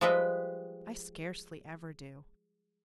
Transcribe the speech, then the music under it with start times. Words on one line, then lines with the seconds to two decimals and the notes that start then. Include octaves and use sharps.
I scarcely ever do.
0.01 F3 G3 G#3 B4 D#5 E5